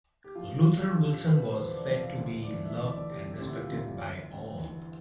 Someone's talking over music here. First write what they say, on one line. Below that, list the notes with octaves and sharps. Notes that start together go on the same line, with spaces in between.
Luther Wilson was said to be loved and respected by all.
G4
F3 F4
F4
D3
G4
F3
A4
D3 B4
C5
E1
D5
F3
F5
D2
D5
E3
E5
D2
D5
C3 G4
G4
D2
E4
F4
D2
E4
G1
G2
E3